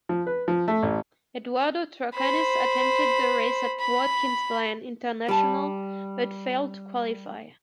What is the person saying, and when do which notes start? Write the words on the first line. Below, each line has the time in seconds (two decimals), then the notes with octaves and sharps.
Eduardo Troconis attempted the race at Watkins Glen International, but failed to qualify.
0.09 F3
0.27 B4
0.48 F3
0.68 A3
0.83 A1
2.15 C5 B5
3.81 B5
5.28 G3 A5